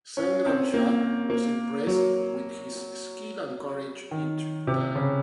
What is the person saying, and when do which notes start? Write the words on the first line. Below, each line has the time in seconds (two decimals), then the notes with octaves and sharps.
Sangram Shah was impressed with his skill and courage each time.
0.17 C#4
0.46 C4
0.74 A#3
1.30 A#3
1.87 F#3
4.11 D#3
4.67 C3
4.95 C#3